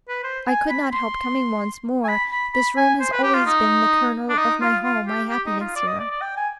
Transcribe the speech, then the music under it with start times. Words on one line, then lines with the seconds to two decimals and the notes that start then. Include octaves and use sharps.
'I could not help coming once more. This room has always been the kernel of my home, my happiness here.'
0.09 B4
0.24 C5
0.47 G#5
0.70 B5
0.93 C6
2.04 G#5
2.08 B5
2.32 B5
2.54 B5
2.77 G#5
3.00 C5
3.12 B4
3.23 G4
3.34 F4
3.46 D#4
4.29 D4
4.38 D#4
4.61 F4
4.84 F4
5.07 G4
5.30 G4
5.46 D#4
5.60 F4
5.76 D5
5.87 D#5
6.00 D5
6.11 D5
6.22 G5
6.37 G#5